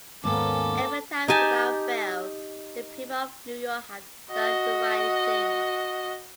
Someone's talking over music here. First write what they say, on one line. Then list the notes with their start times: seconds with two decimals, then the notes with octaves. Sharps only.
Every time, without fail, the people of New York have done the right thing.
0.24 D#2 G#2 D#3 A#3 B3 C#4 A4 D6
1.28 D#4 G4 G#5 A5
4.31 F#4 D#5